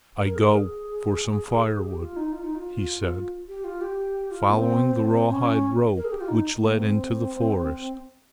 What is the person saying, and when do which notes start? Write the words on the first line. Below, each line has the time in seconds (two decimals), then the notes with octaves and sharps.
"I go for some fire-wood!" he said, following the rawhide rope which led into the forest.
0.19 A#4
0.36 G#4
0.45 A#4
0.55 G#4
1.83 G4
2.00 F4
2.16 D#4
2.32 F4
2.44 D#4
2.55 F4
3.48 G4
3.64 F4
3.81 G4
4.31 F4
4.50 A#3
4.56 C4
5.30 C#4
5.96 A#4
6.05 G#4
6.12 G4
6.21 F4
6.28 D#4
6.62 A#3
6.78 C4